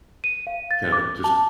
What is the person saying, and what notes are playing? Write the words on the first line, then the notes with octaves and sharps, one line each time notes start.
kinda just
D#7
F5
A6
D6
A5